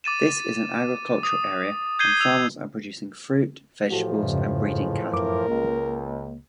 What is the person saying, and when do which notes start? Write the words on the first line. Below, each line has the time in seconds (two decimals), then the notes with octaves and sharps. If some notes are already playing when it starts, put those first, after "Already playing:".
This is an agricultural area and farmers are producing fruit, vegetables and breeding cattle.
0.04 D6 A6 D#7 E7
1.23 D#6
1.99 G6 G#6 C7 D#7 G7
2.20 E6 F7
3.90 A2 E3 F3 F#4 G4 A4
4.23 F2 G#2 C#3 G3
4.61 G#3
5.13 F#2 A#4 D6
5.49 C#2 A#3